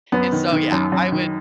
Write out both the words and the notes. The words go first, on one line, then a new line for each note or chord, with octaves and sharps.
and so, yeah, I would
F#2 B3
D#3
D#3
F#2
F#2
D#3